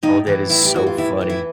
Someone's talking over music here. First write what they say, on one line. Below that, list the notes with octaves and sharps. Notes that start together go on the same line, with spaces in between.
Oh, that is so funny.
A2 D#4
E3
A2 E4
G4
E3 F#4
F4
A2 E4
E3
E4